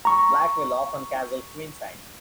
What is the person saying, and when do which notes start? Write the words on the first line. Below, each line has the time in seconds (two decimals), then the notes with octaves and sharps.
Black will often castle queenside.
0.05 A#5 C#6